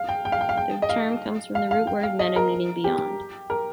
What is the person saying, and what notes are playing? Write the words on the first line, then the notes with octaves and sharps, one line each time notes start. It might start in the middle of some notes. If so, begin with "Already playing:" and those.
The term comes from the root word "meta", meaning "beyond".
Already playing: F5
G5
G5
F5
G5
F5
G5
D#5
F5
F5
F5
G5
F5
D#5
A#4
G4
A#4